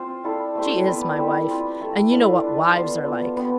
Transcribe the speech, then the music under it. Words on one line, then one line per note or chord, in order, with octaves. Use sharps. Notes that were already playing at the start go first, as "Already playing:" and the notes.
She is my wife; and you know what wives are like.
Already playing: C4 F4 C5
E4 A4 D5 F5
A3 C4 G4 C5
B3 E4 B4 D5
G3 C4 G4
C4 F4 B4
A3 E4 A4
E4 B4 D5 F5
D4 F4 B4
B3 F4 C5
F3 B3 F4
B3 D4 G4